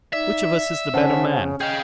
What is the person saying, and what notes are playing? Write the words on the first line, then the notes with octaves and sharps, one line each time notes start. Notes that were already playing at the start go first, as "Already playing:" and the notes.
Which of us is the better man?
D#4 D5 E5
C#3 C#4 C5 F#5 A5
G#4 D#5 F5 G5 G6